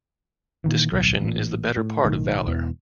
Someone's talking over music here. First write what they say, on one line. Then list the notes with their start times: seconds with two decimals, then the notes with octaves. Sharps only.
Discretion is the better part of valour.
0.64 A#2 D#3 E3
0.92 D1 B1
1.21 A1 A#2
1.77 A2
2.05 B1 A2 D#3
2.47 E1 E2 E3